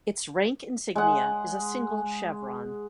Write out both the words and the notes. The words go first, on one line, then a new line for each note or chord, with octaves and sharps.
Its rank insignia is a single chevron.
G#3 F#5